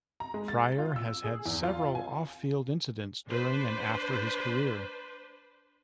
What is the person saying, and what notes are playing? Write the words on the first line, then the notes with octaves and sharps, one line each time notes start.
Fryar has had several off-field incidents during and after his career.
A#5
G#3
A6
F4
E6
G#4
E2
F4
G#5
D4 B4 C5